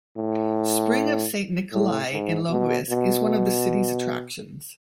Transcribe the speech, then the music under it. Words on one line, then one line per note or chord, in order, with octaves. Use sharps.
Spring of Saint Nicholai in Logoisk is one of the city's attractions.
A2
A2
G#2
B2
B2